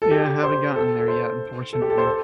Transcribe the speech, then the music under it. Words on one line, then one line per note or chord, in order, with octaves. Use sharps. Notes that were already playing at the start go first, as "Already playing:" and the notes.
Yeah, haven't gotten there yet, unfortunately.
A4
G4
C5
A4
A4
C5
A4
G4
A4
C5
A4